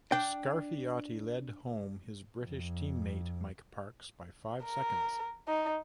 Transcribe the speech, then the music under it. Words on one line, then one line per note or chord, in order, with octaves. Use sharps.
Scarfiotti led home his British team mate Mike Parkes by five seconds.
D4 G5
F2
A#4
D#4